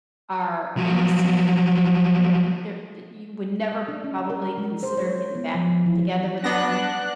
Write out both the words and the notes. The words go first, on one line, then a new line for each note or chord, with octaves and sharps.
are innocent and, you know, they're that you would never probably consider getting back together with them,
F3 F#3
D#5
D4
C#4
A#4
G#3
C5
C#5
B3
F3
F3
E3
B3 D4 F#5 F#6 A#6